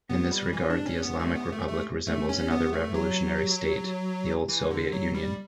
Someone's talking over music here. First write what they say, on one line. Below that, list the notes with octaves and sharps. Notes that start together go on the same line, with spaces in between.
In this regard the Islamic Republic resembles another revolutionary state, the old Soviet Union.
B3
G3
E3
D4
C#4
B3
A3
B3
A3
A3
A3
C#4
B3
A3
F#3
E3
D3
F#3
G3